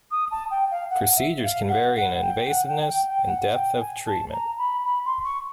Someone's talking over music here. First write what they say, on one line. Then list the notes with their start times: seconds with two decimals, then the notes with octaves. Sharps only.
Procedures can vary in invasiveness and depth of treatment.
0.11 D#6
0.31 A5
0.51 G5
0.71 F5
0.90 F#5
1.16 E5
1.43 F5
1.69 F#5
1.96 F#5
2.21 G5
2.44 G5
2.48 F#5
2.67 G5
2.88 G5
3.08 G5
3.27 F#5
3.54 G5
3.80 G#5
4.06 A5
4.33 A#5
4.58 B5
4.85 B5
5.05 C6
5.24 C#6